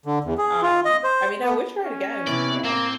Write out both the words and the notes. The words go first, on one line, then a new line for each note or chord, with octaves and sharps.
Um, I mean, I would try it again, yeah,
D3
E2
G#4
F4
D#5
C5
B3
C#4
C3 E3 B3 E4 D5
A2 A#3 C4